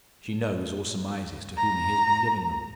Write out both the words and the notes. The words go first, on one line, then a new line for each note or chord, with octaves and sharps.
She knows, or surmises, to whom he has been giving them.
A#5